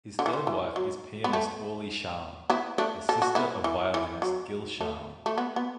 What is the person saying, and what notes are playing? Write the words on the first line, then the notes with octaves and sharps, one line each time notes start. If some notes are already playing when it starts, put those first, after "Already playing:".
His third wife is pianist Orli Shaham, the sister of violinist Gil Shaham.
D3
E3
D3
E3
F#3
B3
A3
B3 E4
A3 D4
A4
F#4
B3 E4
E3
E3
F#3
A3
A3
B3
B3